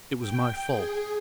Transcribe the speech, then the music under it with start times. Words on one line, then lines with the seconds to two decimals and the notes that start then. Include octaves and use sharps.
It was my fault.
0.20 G5
0.69 G#4